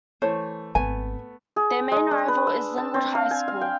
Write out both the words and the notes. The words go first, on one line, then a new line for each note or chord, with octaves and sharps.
Their main rival is Lynwood High School.
E3 A3 C5 C#5
G#1 A3 B3 G#5
G#4
G#3
D4
B4
E6
A5
C4
F5
G#5
F5
G5